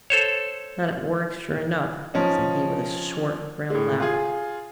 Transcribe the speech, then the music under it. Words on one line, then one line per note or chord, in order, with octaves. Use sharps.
'Not at work, sure enough,' said he, with a short, grim laugh.
A4 C5 C#5
F3 C#4 D#4
A2 G#3
F4 G#4